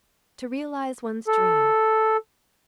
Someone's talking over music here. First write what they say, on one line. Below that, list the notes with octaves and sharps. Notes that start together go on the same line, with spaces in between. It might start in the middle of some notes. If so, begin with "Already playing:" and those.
To realize one's dream.
A4